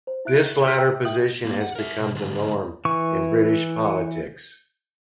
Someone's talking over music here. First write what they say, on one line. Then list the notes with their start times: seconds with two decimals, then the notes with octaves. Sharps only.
This latter position has become the norm in British politics.
0.07 C5
0.25 E4 E5 F#6 D7
0.66 F#4 C6 F6 B6
0.78 E5 G5 E6
1.05 F#4 E5 G5 D#6 F#7
1.45 A#3 C4
1.61 F#5
1.76 A#4 E5
2.00 B2
2.15 D2 G#2
2.85 E3 C#6